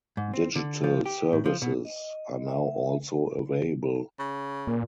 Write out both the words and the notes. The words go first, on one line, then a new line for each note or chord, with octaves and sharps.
Digital services are now also available.
G#2
C4
D3
F3
G4
A2
F3
B2
D#5
E5
C#3
A#2